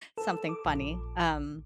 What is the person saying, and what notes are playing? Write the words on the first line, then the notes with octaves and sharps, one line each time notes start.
something funny, um,
A4
D6
A#1